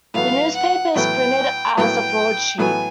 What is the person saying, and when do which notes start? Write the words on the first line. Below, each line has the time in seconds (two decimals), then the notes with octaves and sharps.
The newspaper is printed as a broadsheet.
0.14 A2 F#3 B3 F5
0.55 F#5
0.95 A2 F#3 B3 G5
1.77 A2 F#3 B3 G5
2.58 A2 F#3 B3 G#5